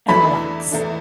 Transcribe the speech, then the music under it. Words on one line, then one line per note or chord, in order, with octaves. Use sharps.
and relax."
E2 E3 A3 D4 B5
E2 E3 A3 D4